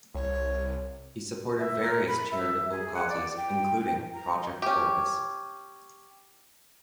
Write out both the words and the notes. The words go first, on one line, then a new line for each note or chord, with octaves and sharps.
He supported various charitable causes including Project Orbis.
C2 C#5
E5
A#4
B5
E5
G#4
F#5
D5
G5
A#5
C#4 G4